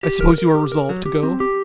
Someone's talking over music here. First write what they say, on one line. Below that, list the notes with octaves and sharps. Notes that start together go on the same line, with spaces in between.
I suppose you are resolved to go?
G4
A#4
A#4
G4
A#4
F#3
G4
C4
G4